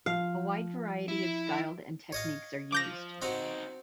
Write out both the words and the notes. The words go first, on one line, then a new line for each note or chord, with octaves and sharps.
A wide variety of styled and techniques are used.
F3 F5
E4
C#5 D#5 F5
F3 D6 G6 A#6
C4 D#4 F#4 C#5